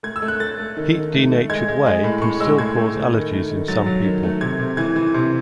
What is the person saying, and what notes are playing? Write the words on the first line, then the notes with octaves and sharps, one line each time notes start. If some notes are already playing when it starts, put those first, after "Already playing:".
Heat-denatured whey can still cause allergies in some people.
A3 G#6
E6
A3
F#6
A3 A6
A3
D#3
D#3
A3
A3
G#3 G#6
G#3
G#3
A2
A2 C#6
G#3 E6
A2 G#6
A2
A3
D#3
A3
D#3
F#3 A6
F#3
D#3
A3
C3 G#6
C3
E3 G#6
E3
C3